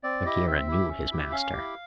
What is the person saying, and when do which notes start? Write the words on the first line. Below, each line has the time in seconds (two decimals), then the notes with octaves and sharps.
Bagheera knew his master.
0.03 C4 D5
0.25 E4 G4 D#5
0.46 C4 E5
0.68 E4 G4
0.89 C#4
1.10 E4 G4
1.32 C#4 F5
1.53 E4 G4